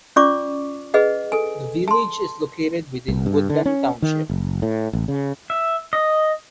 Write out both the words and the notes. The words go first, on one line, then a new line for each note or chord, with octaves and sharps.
The village is located within Woodland Township.
C#4 F4 D5 C#6 D6
G#4 B4 D#5 F#5
A4 G#5
A5 C6
C2
G2
D3
C#4
D#3
F#1
A2
A1
C#3
E5
D#5